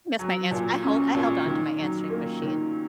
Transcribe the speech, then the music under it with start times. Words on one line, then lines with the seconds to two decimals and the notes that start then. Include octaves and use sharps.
That's my ans I hold I held on to my answering machine,
0.19 F#3
0.51 A#2
0.83 C#4
1.15 A#2
1.46 D#3
1.78 F#3
2.10 A#3
2.42 D#3